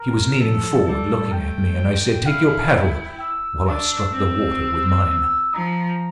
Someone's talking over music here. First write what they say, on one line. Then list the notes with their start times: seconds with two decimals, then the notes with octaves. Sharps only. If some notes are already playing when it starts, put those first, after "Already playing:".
She was kneeling forward looking at me, and I said, 'Take your paddle,' while I struck the water with mine.
Already playing: A#4
0.39 F3 A4
0.86 G3 A4
1.32 A3 G5
2.26 E4 F5
2.73 G5
3.20 E6
3.66 D4 E6
4.13 C4
4.60 E6
5.54 F3 A#5